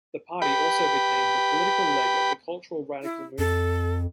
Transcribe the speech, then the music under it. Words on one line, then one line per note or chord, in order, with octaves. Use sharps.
The party also became the political leg of the cultural radical movement.
G4 B4 G5 B5
E4
F2 A4